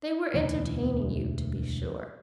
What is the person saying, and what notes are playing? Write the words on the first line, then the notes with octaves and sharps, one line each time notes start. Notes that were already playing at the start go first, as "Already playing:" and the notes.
They were entertaining you, to be sure.
E1 D2 E3